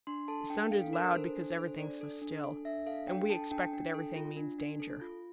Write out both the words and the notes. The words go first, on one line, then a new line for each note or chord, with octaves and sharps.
It sounded loud because everything's so still, and we expect that everything means danger.
D4 C6
A4 A5
D4 G5
A4 F5
D4 A#4
A4 C5
D4
A4 C5
D4 D5
A4
D4
A4
D4 E5
A4 F5
D4 G5
A4 A5
D4 G5
D4
A4
F4
D4
D4
A4
F4